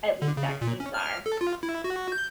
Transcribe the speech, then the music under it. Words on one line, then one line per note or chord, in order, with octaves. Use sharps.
at least vaccines are.
D3
C#3
A#2
C#4
F6
A4
F4
E4
F#4
G6